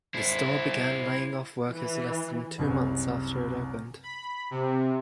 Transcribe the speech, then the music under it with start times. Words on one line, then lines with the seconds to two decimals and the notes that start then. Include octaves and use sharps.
The store began laying off workers less than two months after it opened.
0.14 E4 C5
1.69 E3
2.58 F#1 C2 B4 G#5
4.03 B5
4.51 C3